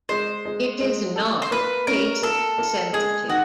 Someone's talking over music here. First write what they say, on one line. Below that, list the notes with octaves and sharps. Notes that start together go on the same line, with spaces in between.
It is not case-sensitive.
G#3 C5
G#3
G#3
A4
C5
A#3 B4
C#4 A#4
A#3 A4
A#3
G#3 G#4
D#3 F#4